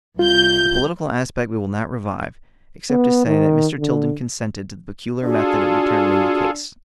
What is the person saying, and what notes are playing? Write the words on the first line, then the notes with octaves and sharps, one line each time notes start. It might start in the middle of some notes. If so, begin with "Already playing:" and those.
The political aspect we will not revive, except to say that Mr. Tilden consented to the peculiar method of determining the case.
C2 F4 G6
B3
D#3
D3
D4 F4 F#4 G#4 A4